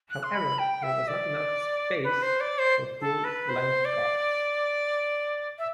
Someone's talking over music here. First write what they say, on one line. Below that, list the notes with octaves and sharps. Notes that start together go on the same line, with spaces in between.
However, there was not enough space for full-length cards.
F#6
C6
B5
G5
E5
D5
B4
C5
D5
C5
A4
B4
C5
D5
E5